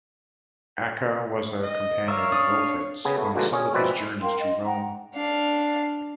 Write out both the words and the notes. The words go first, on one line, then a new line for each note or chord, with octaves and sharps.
Acca was a companion of Wilfrid's on some of his journeys to Rome.
D#5
A#4 C#5 D5 E5 F5
D4 D5 D#6
C#3 B3 G#4
A3 B3
B2 D3 E3 F3 G#3 A#3
C#4 G#4
B2 F3 C4 B4 D5 E5
A#4 F5 G5 C6
D#5
F#5 G5 A#5
D4 F5